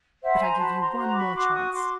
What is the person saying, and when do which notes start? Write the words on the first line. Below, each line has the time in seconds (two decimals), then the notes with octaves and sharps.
But I give you one more chance.
0.22 C5 E5 F#5
0.32 B5
0.40 G#5 A#5
0.52 C6
0.59 F#4 A5 B5
0.79 A#5 C6
0.97 F#4 A#5 C6
1.11 D6
1.16 B5 C#6
1.34 F#4 C6 D6
1.54 C#6 D#6
1.72 F#4 C6 D6